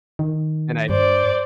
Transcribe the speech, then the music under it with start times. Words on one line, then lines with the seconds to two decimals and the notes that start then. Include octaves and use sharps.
And I th
0.19 D#3
0.90 G2 C5 D5